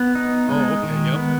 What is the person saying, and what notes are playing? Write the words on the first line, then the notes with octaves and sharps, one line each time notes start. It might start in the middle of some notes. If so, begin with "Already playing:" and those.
Oh, okay, yep.
Already playing: B3
D#4
G#3
D#3
B3